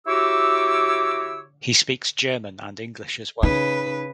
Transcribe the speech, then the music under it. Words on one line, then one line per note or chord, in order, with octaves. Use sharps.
He speaks German and English as well.
E4 F#4 G4 C#5 D6 E6
C#3 D#4 B4